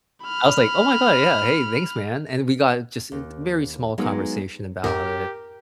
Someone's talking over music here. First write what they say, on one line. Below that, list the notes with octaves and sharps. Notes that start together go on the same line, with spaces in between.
I was like, "Oh my god, yeah, hey, thanks, man," and we got just in t very small conversation about it,
B5 F6
D#2
F#3 G#3 A#3 B3 D#4
F2 G#2 G4 A#4